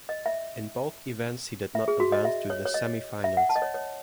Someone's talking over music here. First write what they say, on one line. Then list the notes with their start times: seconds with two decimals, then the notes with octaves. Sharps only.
In both events he did not advance to the semifinals.
0.09 D#5
0.26 E5
1.75 E5
1.88 G#4
2.00 F#4
2.12 D#5
2.25 E5
2.50 C#5
2.65 C#5
2.74 D#5
3.24 E5
3.37 F#5
3.49 A5
3.56 D#5
3.62 C#5
3.74 C#5